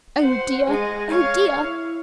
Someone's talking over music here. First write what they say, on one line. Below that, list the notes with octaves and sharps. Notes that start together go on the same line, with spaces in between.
Oh dear, oh dear!
C5 F#5
G#3 D#5
C#5 F5
E4